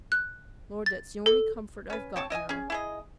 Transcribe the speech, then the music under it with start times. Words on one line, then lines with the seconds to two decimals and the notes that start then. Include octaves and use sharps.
Lord, that's the only comfort I've got now!
0.12 F#6
0.86 A6
1.26 A4
1.90 C#4 B4
2.16 C4 C#5 A5
2.30 E4 D#5 E5 G#5
2.49 C#4 G#4
2.70 E4 G#4 D#5